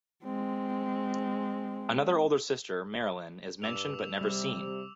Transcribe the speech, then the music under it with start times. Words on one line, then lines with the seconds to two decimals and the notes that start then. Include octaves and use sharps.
Another older sister, Marilyn, is mentioned but never seen.
0.24 G#3 C4
3.62 G2 D6 E6 F7
4.21 C3 G3